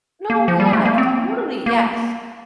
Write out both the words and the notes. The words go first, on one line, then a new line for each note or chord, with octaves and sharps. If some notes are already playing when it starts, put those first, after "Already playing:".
No, yeah, totally, yes.
A#3
F3
G3
A3
A#3
C4
A#3